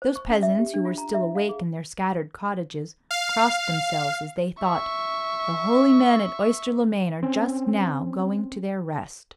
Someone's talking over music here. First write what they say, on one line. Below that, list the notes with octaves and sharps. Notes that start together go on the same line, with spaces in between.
Those peasants who were still awake in their scattered cottages, crossed themselves as they thought, "The holy men at Oyster-le-Main are just now going to their rest."
C5
C#6
C#4
E5
G4
D4
F4
A#5
E5
F5
G#4
F5
E5 C#6
C4 C#4